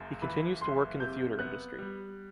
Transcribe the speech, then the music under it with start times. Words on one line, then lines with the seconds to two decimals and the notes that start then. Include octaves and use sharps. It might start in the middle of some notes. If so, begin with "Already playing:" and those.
He continues to work in the theater industry.
Already playing: F#1 F#2
0.22 E3 B5
0.61 F#1 C6
1.00 C3 G6
1.39 B3 F#6
1.78 G3